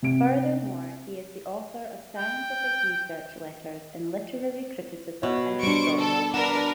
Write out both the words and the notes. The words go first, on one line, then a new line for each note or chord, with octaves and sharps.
Furthermore, he is the author of scientific-research letters in literary criticism and historiography.
C3 D7
G5
B2 C#5
G3 D4 C5 C#6 D7
A4
D4 A#4 B4 F#5 A5